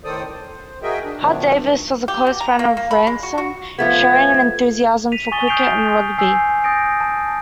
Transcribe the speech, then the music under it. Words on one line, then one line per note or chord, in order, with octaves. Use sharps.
Hart-Davis was a close friend of Ransome, sharing an enthusiasm for cricket and rugby.
A2 D#3 A4 C5 D5 D#6
C5
F#4 G#4 A#4 D#5 E5 G5
D4
B2 D#3 F3 F#3 A3 D4
G2
G4
B2
A#5
A#3
A#3
B5
G#3
F#4
F#4
F3 A3 B3 G#6
B6 D#7 F7
G#5 C#6 D#6 A6 G7
D#6 F6 G6 C7 D7 F7
G#5 E6 G6 C7
D#6 G6 A6 A#6 D7
A5